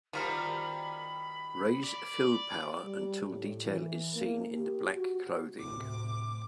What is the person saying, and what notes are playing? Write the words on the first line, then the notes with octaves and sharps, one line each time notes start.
Raise fill power until detail is seen in the black clothing.
B2 D#3 F3 G3 A#4 B5
D5
G3
A2
E3
A#3
G4
F#4
D2 A2 C3 D6